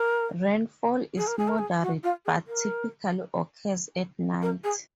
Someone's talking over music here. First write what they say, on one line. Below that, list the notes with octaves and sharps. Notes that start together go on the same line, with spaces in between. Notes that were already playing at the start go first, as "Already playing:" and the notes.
Rainfall is moderate but typically occurs at night.
Already playing: A#4
G#4
A#4
G#4
A#4
G#4
F#4
F4
G#4
A#4
A#4
G#4